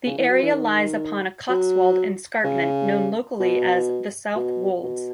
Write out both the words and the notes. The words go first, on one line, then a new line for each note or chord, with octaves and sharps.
The area lies upon a Cotswold escarpment known locally as the 'South Wolds'.
C#3
E3
F#3
E3
D#3
F#3
C#3
B2
B2
B2